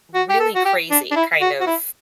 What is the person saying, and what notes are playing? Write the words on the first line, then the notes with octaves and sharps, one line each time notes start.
really crazy kind of,
F#4
G4
A4
F#4
G4
D4
D4
E4
F#4
F#4
E4